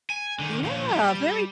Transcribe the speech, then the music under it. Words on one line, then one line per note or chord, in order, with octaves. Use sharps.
Yeah, very
G#5
D3 D#3
A#2 F3
G3